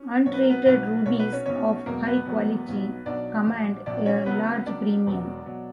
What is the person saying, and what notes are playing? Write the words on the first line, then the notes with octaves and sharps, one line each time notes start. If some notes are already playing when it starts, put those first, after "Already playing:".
Untreated rubies of high quality command a large premium.
Already playing: C#4
B1 B2 F#3 C#5
B4
A#4
B3 B4
B1 B2 F#3 B3 B4
B1 B2 F#3 C#5
B4
C#4 C#5
B1 B2 F#3 C#4 C#5
E1 E2 B2 F#3 A#3 A#4
B3 B4
E1 E2 B2 F#3
B1 B2 F#3
B1 B2 F#3 D4 D5
A#1 A#2 F#3
A#1 A#2 F#3 D4 D5
C#4 C#5
C#2 C#3 F#3 B3 B4
C#2 C#3 F#3 D4 D5
E1 E2 B2 F#3
B2 F#3